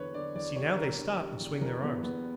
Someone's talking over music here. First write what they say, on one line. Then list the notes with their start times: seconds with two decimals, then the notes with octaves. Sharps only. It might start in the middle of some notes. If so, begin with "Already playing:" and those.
See, now they stop and swing their arms!
Already playing: E2 D3 B4 C#5
0.14 D3 D5
0.35 E2 D5
0.56 G3 C#5
0.77 D3 A#4
0.98 D3
1.19 G3
1.40 E2
1.61 E2 A#4
1.82 E2 B3
2.02 E2 B3